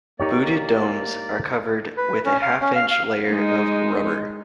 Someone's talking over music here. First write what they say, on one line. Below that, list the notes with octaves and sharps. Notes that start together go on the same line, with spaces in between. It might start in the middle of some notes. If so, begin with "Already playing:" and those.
Booted domes are covered with a half-inch layer of rubber.
A#3 D#4 G4 C#5 D5
B4
C#4
F5
C#4
F5
F5
G#3 D#4